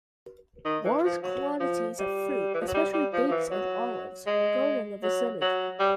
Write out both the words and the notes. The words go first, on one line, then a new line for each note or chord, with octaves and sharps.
Large quantities of fruit, especially dates and olives, were grown in the vicinity.
D#3
E3
F3
F#3
F3
G3
E3
F3
F#3
G3
G3
F3
F3
E3
F#3
G#3
F#3
F#3
G3